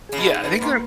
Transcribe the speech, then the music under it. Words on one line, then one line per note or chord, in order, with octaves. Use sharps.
Yeah, I think they're
C#3 G#4
B2
D#4
B2 B4
G#2 A#3